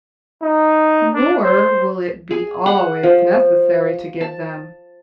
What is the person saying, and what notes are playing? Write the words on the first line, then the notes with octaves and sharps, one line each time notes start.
Nor will it be always necessary to give them.
D#4
D4
C5
G#4
F#5
F3
A5